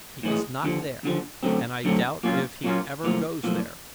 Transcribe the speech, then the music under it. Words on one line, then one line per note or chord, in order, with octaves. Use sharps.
He is not there and I doubt if he ever goes there.
A2 E3 G#3
D#2 D3 F3
D#2 D3 F3
F#2 D3 F#3 A3 C4
F#2 D3 F#3 A3 C4
A#2 F#3 A#3 C#4 F4
A#2 F#3 A#3 C#4 F4
B1 A2 F3 A#3
B1 A2 F3 A#3